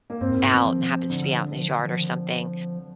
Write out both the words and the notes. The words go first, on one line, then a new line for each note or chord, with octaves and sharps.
out and happens to be out in his yard or something.
A#3
G2 C4
G#2
G#2
D#3
F3
D3
F3
D#3
F3